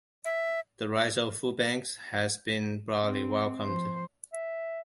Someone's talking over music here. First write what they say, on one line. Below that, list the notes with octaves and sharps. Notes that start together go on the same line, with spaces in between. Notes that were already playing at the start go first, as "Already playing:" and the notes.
The rise of food banks has been broadly welcomed.
E5
C4
F3 C5
E5